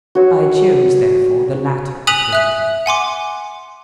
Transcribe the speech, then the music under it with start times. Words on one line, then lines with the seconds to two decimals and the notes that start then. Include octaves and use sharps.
I chose, therefore, the latter alternative.
0.15 F#4 C#5
2.07 G#5 D#6 F#6 B6 F7 F#7
2.33 E5 F#6
2.86 F#5 G#5 C6 D6